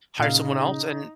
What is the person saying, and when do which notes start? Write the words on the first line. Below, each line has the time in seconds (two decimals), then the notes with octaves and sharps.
hire someone else, and
0.20 A#2 C#3 D#4 F5